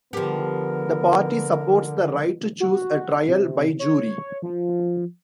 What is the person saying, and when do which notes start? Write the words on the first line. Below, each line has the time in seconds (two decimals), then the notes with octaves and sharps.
The party supports the right to choose a trial by jury.
0.13 D3 F3 B3 G4 A#4
2.60 F#4
3.28 C3
3.79 C#5
4.42 F3